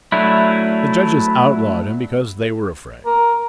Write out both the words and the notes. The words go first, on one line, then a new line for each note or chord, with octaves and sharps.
The judges outlawed him because they were afraid.
F#3 A3 D4 E4
A#4